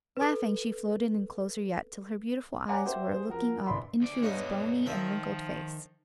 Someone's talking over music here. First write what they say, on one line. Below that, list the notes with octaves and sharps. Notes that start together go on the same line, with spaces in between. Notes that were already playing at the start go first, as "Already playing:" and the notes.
Laughing, she floated in closer yet, till her beautiful eyes were looking up into his bony and wrinkled face.
A4 B4
C#5 F#5 G#5 A#5 D6
F#4 G4 C5 E5
G#4 C5
F3 F#4 A#4
A#1 E3 D5 B5 C6
D2 D5
E2 G2 B2 D4 D#4 C#5
D#3 F3 A#3 E5